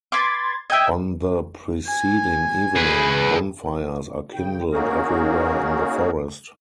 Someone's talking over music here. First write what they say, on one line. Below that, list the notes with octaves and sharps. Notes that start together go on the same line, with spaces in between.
On the preceding evening, bonfires are kindled everywhere in the forest.
B4 B5 C6 D6 G#6 A6
D#5 E5 G5 G#6
G#5
G#4 B4
C#3 G5
A#3 C#4 D#4 F#4 G#4 A#4